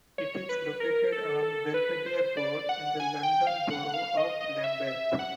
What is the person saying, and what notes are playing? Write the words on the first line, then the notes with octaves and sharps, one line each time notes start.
It is located on Belvedere Road in the London Borough of Lambeth.
C#5
B4
A#4
A4
A4
B4
C5
D5
F#5
G#5
G5
F5
F#5
F5
D#5
D#5
E5
E5
F#5